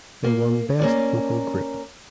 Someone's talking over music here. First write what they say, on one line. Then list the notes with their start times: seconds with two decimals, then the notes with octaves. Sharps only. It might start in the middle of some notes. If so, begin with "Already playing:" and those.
They won Best Vocal Group.
0.24 A#3
0.80 A#3 C#4 D5